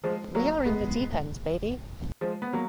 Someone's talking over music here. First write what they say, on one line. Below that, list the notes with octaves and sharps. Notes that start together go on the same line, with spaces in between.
We are in the deep end baby.
F3 G#3
F#3 A#3
G#3 B3
F3 G#3
B3
F#3 A#3